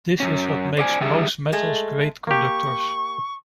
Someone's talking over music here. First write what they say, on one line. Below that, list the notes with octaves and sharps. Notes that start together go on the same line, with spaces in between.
This is what makes most metals great conductors.
F#2 A#2 C#4
C5 D5 F5 G#5
D3 D#3 G3 G#4 E5
G#3 A3
A#3 G4 C#6